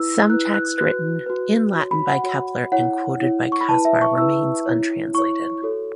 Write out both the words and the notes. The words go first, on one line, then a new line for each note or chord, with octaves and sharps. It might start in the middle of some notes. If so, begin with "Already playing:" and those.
Some text written in Latin by Kepler and quoted by Caspar remains untranslated.
Already playing: E4 B4 E6
E4 B4 F#6
F#6
F#4 B4 F#6
F#4 B4
F#4 C#5
B5
F#5
F#4 C#5
E4 C#5 F#5
E4 C#5
C#6
B5
E4 B4 A5
E5
C#6
E4 B4 E6
E4 C#5
E4 C#5 C#6
F#4 A4 C#5